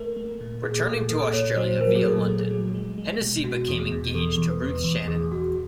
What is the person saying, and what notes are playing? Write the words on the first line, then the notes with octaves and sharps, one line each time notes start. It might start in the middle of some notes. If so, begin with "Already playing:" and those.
Returning to Australia via London, Hennessy became engaged to Ruth Shannon.
Already playing: A3 A#4
A3
A#2
A#2 G#4
A4
A#2 G#4
A#2 A4
A#2 C#5
F#3 C5
F#3 A#4
G#4
A#2 A4
A3
G#4
F#3
G#3
G#3
B2
B2 F#4
E2
G#4
B2
E2 A4
E2
B4
E2
E2
E2 G#4
E2 F#4